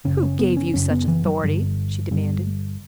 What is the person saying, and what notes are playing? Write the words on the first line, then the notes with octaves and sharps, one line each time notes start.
"Who gave you such authority?" she demanded.
F#1 F#2 C#3 C#4
C#4
B3
C#4
F#1 F#2 C#3 C#4
B3
E3
F#3
G1 G2 D3
G1 G2 D3